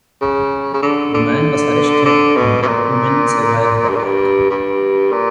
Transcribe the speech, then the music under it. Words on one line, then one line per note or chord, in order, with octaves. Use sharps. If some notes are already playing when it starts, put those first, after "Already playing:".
The man was arrested and the woman survived the attack.
C#3
C#3
D3
D3
D3
B2
B2
A#2
G2
A#2
G2
G2
A#2